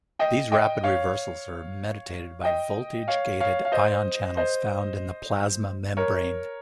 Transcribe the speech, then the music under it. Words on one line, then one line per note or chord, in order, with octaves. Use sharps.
These rapid reversals are mediated by voltage-gated ion channels found in the plasma membrane.
D#5 G5
D#5 G5
C#5 F5
D#5 G5
C#5 F5
C#5 F5
F5
C5 D#5
C5 D#5
A#4 C#5